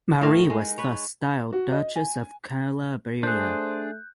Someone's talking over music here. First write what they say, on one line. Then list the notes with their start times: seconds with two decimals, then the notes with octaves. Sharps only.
Marie was thus styled Duchess of Calabria.
0.21 A2 A3 A#4 F5
0.47 G#3 D#4
0.78 B4 C#5
1.53 F#4
1.72 D#5
1.96 G#5
3.23 A3 D4 G#4 C5 F#6 G6